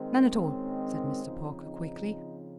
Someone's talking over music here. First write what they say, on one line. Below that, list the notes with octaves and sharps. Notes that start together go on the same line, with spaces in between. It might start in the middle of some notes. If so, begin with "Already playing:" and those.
"None at all," said Mr. Parker, quickly.
Already playing: D#3 G#3 C4
C#4
C#4
C#3 F3 C4 D#4
D#4